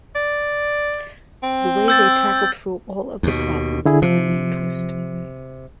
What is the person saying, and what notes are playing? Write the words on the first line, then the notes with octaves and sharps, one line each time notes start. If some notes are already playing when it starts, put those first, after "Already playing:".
The way they tackle through all of the problems is the main twist.
D5
C4
E6 G6 A6
D#2 B2
D3 E4 G#4
C3 F3